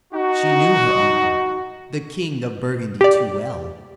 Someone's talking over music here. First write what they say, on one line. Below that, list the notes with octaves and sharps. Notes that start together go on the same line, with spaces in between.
She knew her uncle, the king of Burgundy, too well.
D#4 F#4
G4 D5